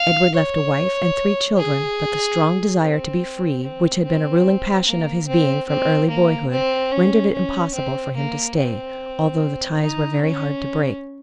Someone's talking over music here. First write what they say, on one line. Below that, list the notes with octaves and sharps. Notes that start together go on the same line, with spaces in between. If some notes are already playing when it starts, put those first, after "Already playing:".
Edward left a wife and three children, but the strong desire to be free, which had been a ruling passion of his being from early boyhood, rendered it impossible for him to stay, although the ties were very hard to break.
Already playing: F5
C#5
G#4
C4
C4
C4
A#3
C4
C4
A#3
C4
C#4
C#4
C4
A#3
C4
D#4
C#4